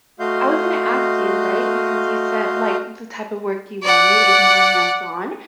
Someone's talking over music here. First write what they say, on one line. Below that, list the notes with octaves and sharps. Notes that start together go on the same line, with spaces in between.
I was gonna ask you, right? Because you said, like, the type of work you wanted is more hands on.
A3 F#4 D#5 F5 C6 G6
D5 F#5